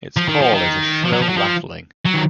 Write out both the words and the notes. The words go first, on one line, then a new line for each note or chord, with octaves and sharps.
Its call is a shrill rattling.
F3
D#3
F3
D#3
F3
F#3
F3
F#3
F3
F#3
D#3